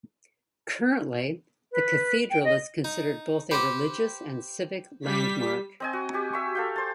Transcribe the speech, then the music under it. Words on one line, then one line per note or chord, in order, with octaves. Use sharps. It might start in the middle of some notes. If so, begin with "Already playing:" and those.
Currently, the cathedral is considered both a religious and civic landmark.
B4
G5
D#5
D#4
G4 B4 C5 F#5
G3 B6
C4 D#5 G#5
F#4
F#4 G4 G#5
E5 C#6
A4 F5 G5
C5 A5